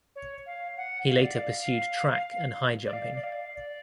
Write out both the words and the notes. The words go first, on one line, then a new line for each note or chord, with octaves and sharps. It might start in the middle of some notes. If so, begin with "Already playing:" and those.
He later pursued track and high jumping.
C#5
F5
F#5
F5
D5
F5
D5
F5
D5
F5
D5